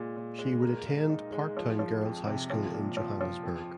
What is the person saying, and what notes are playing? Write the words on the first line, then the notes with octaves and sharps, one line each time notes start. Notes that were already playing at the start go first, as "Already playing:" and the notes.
She would attend Parktown Girls High School in Johannesburg.
Already playing: A#2 G#3
A#2
G#3
A#4
G#3
D#4
G#3
F3
F3
F2
C3
F3
A#2
F3
F3
F2